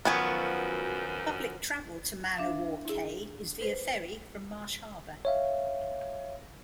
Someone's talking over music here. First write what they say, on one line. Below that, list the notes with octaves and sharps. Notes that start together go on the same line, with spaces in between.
Public travel to Man-O-War Cay is via ferry from Marsh Harbour.
F#2 D#3 F3 F#3 B3 G#5
D4 E5 F5
E4 G#4
B4 C5
C#5 E5 F5